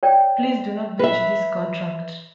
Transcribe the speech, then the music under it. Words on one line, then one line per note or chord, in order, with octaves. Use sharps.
Please do not breach this contract.
C#5 D5 G5
B4 E5